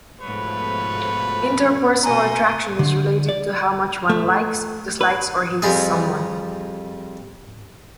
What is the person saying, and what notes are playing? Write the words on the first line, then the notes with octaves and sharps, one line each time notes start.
Interpersonal attraction is related to how much one likes, dislikes or hates someone.
G#2 B2 F3 A3 B4 C#5
B2 D#5 G#5 A#5 C6
D3
D5
A3
B4
F2 G3 G#4